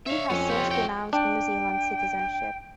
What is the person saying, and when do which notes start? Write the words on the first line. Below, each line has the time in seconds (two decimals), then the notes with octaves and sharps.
He has since renounced New Zealand citizenship.
0.07 C#5 E5 F5
0.30 F2 C#4
0.50 F4 G4
0.71 F#4 G5
1.13 D4 G5